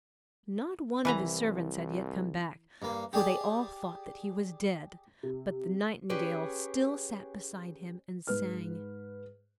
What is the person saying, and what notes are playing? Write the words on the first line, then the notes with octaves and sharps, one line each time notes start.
Not one of his servants had yet come back, for they all thought that he was dead; but the Nightingale still sat beside him and sang.
C2 E3 B4 A#5
G2 A#3
G4 G#4 D5 G#5 A5
C3
C#4 G4 G#4 B4 C#5
G#2 B4 F6